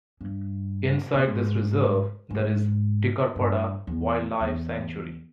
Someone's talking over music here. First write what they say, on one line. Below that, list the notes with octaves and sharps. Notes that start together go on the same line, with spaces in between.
Inside this reserve there is Tikarapada Wildlife Sanctuary.
G2
A#2
G#2
G#2
G2
E2
E2